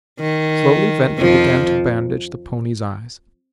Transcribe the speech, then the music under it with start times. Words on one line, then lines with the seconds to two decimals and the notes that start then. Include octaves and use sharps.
Slowly Ventnor began to bandage the pony's eyes.
0.20 D#3
1.18 F2 F3